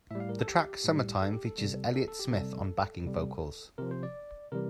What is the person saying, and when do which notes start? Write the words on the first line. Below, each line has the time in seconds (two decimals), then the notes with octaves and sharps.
The track "Summertime" features Elliott Smith on backing vocals.
0.11 A2 G3 E5
0.20 F5
0.29 A#4
0.39 A4
0.48 G4
0.84 A2 G3
1.22 A4
1.33 G4
1.45 A4
1.58 C3 G3
1.94 A4
2.08 A4
2.19 G4
2.31 C3 G3 A4
3.05 C3 G3
3.78 C3 F3 A#4
3.91 C5
4.03 D5
4.52 C3 E3 G3 A#4